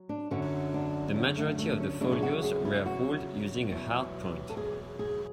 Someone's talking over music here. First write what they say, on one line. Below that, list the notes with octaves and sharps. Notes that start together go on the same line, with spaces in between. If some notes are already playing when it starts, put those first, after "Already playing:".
The majority of the folios were ruled using a hard point.
Already playing: F#3
D4
F#2 D3 F#3 C#4
D4
D4
C#4
A3
A3
C#4
E2 C#3 F#3 D4
G#4
F#4
G#4
E4
F#4
E2 B2 F#3
A4
G#4
G#4